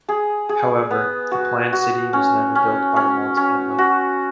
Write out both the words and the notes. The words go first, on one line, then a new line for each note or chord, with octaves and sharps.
However, the planned city was never built by the Mont family.
G#4
G#4
B3
F#4
F#4
C#4
C#4
C#4
C#4
F#4